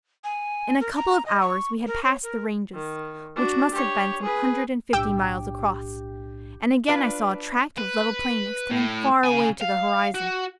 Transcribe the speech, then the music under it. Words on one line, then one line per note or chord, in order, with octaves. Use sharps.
In a couple of hours we had passed the ranges, which must have been some hundred and fifty miles across, and again I saw a tract of level plain extending far away to the horizon.
G#5
A#4
A#5
D#5
C#6
A#4
C#5
A#4
D#3
D4 F#4
G4 C#5
G#4 B4
B1 A2 D4 G4 G5 D6 E6
D4 F4 B4
B4
A2
C#3 G#5
F5
F#4